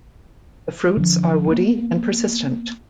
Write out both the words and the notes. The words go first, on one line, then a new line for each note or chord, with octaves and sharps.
The fruits are woody and persistent.
D3 E3 F3
A#3 B3 C#4